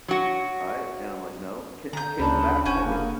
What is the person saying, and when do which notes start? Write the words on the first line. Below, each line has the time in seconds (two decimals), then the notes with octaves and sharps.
right? And I'm like, no, ca can you laugh for me?
0.08 F#3 F#4
1.93 D3 A#5 G6
2.19 D2 C#3 D4 C5 B5
2.66 F1 C#4 F#4 G#5 G6
2.85 A#3